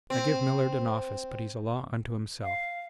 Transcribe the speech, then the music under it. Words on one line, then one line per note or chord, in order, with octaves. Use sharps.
I give Millard an office but he's a law unto himself.
C4
F5